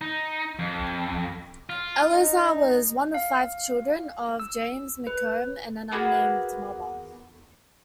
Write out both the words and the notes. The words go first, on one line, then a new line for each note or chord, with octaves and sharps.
Eleazer was one of five children of James McComb and an unnamed mother.
D#4
F2
F4
D#4
F5
E6
B4
A#3 B3 F#4 G#4